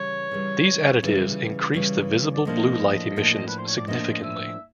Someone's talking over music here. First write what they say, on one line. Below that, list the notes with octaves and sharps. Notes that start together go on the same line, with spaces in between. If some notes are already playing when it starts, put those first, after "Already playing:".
These additives increase the visible blue light emissions significantly.
Already playing: C#3 E3 G3 C#5
C#3 E3 G3
C#3 E3 G3
C#3 E3 G3
D5
A2 F3 A#3 D4 D#5
A2 F3 A#3 D4
B4
C5
C#5
D5
A2 F3 A#3 D4 D#5
D#5
E5